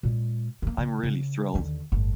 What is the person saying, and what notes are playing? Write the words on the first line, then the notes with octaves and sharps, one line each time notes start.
I'm really thrilled.
A#2 G#3
F#3 A#3
C#3
C#3
D#2 D3
G1 A2